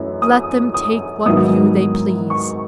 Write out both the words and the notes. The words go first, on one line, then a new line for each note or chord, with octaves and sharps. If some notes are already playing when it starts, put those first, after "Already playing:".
Let them take what view they please.
Already playing: F#2 E3 A3 D#4
D#6
D#6
G#2 D#3 F#3 B3 E4 D#6
C#6